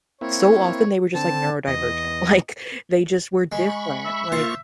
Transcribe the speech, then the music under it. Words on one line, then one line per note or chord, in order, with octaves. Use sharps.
So often, they were just, like, neurodivergent. Like, they just were different, like,
A#3 C4 E4 C#5
D3 C4 A5
E2 D#5
G#3 B5 C#6
E5
A#3 F4 C5 C#6